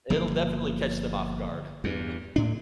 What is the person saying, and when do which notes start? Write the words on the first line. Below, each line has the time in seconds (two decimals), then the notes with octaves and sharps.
It'll definitely catch them off guard, uh
0.10 G1 F3 A#3
1.84 E2 G2
2.36 A2 D4